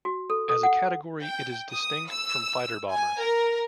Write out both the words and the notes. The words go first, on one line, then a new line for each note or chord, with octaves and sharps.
As a category, it is distinct from fighter-bombers.
F#4
A4
A4
F#5
G5
D#6
E6
G#5
A#4